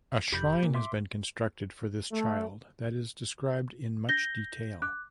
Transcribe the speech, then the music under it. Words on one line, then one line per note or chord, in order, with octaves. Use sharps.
A shrine has been constructed for this child that is described in much detail.
F1 G4 B5 G6
A#2
E5 C6 D6
A3
G6 A#6 G7
D6 F#6